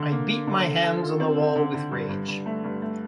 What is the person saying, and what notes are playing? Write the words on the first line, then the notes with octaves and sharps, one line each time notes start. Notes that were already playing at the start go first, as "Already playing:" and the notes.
I beat my hands on the wall with rage.
Already playing: D3
A#3
A#3
D3
A4
A4
F4
C4
D3
D3
D3
G2
G2
G2
A3
G2
A3